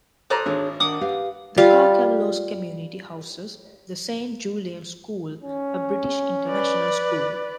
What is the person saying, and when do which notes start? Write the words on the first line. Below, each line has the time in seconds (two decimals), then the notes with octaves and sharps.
The Carcavelos community houses the Saint Julian's School, a British international school.
0.30 A4 C5 D5 A#5 D#6 F#6
0.46 G#1 D4 G#4 C#5
0.80 D#3 D4 F#5 D6 D#6
1.01 G4 B4 F5
1.58 G3 F4 F5
5.43 C#4
6.48 B4 D5